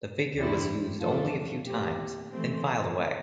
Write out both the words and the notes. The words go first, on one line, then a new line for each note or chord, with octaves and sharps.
The figure was used only a few times, then filed away.
E2 D3 G3 C4 E4
F2 E3 A3 D4 F4 A4
A#2 A3 C4 G4
E3 A3 C4